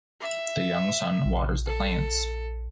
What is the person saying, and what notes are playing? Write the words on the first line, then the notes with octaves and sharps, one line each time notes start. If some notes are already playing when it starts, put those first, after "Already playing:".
The young son waters the plants.
E5
A#1
A4